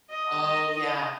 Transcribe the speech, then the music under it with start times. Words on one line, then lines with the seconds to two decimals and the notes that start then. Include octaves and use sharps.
Oh, yeah.
0.10 D#5